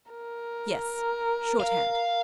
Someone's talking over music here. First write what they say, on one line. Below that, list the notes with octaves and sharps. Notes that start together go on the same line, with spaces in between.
'Yes, shorthand.
A#4
F5